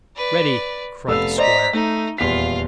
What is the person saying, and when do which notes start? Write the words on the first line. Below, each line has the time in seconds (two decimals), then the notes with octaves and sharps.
"Ready!" cried the squire.
0.17 B4 D5
1.08 F1 B3 A4 F5 E6
1.38 C5 D5 D#5 A#5 B6
1.73 A3 D#4
2.18 D#1 E2 F4 F5 B6